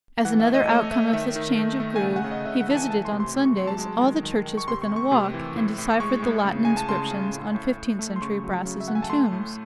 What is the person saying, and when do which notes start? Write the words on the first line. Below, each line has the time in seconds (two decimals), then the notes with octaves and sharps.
As another outcome of this change of groove he visited on Sundays all the churches within a walk, and deciphered the Latin inscriptions on fifteenth-century brasses and tombs.
0.25 E3 F#5
0.40 E5
0.47 A3
0.54 D#5
0.69 A3 C#5
0.91 A3 E5
1.13 D#3 E5
1.36 D#3
1.57 A3
1.80 A3
1.96 G#5
2.01 C#3 F#5
2.16 F#5
2.24 C#3
2.31 D#5
2.45 C#3 E5
2.61 F#5
2.68 E3 A5
2.75 G#5
2.90 A3 A5
3.05 C6
3.12 C3
3.20 C6
3.34 C3
3.46 C#6
3.57 F#3 C6
3.67 A5
3.78 G#3
4.01 D#3
4.23 D#3
4.45 D#3
4.58 C#6
4.68 C3 C6
4.82 C#6
4.89 A3
4.96 C#6
5.11 C3 C6
5.34 E3
5.56 A2
5.78 A2
6.00 G#3 C#6
6.22 A2
6.45 C#3
6.65 G#3 G#5
6.77 A5
6.89 C#3 C6
7.11 C#3
7.33 A2
7.55 A2
7.77 A2
7.99 A3
8.16 C6
8.22 C#3 C#6
8.44 F#3
8.65 C#3
8.80 E5
8.88 A3 F#5
8.95 G#5
9.02 A5
9.10 A3 C6
9.32 A2